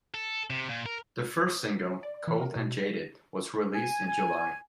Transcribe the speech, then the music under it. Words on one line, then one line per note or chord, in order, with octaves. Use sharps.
The first single, "Cold and Jaded," was released in July.
A4
C3
A#2
A#4
D5
E3
A#4
B2
G#5